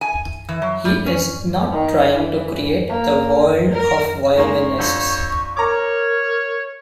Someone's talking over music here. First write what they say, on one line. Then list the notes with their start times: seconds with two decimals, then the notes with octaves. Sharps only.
He is not trying to create the world of violinists.
0.01 G#5
0.49 E3
0.62 F#3
0.85 G3
1.06 C#4
1.72 D#3
2.13 E3
2.89 A#3
3.76 A#4
4.36 D#3 G#3 A#3 C#6
4.78 F2 D3 A4 C5 C#5
5.57 A#4 C#5 A#5 D6